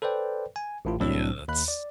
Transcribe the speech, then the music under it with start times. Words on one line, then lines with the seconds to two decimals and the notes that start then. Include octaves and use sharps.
Yeah, that's
0.02 A4 B4 C5 D5 G5
0.56 G#5
0.85 A1 A2 F4
1.00 C2 A2 F#3 C4 D4 E6
1.48 D#2 B5 F#6
1.68 D5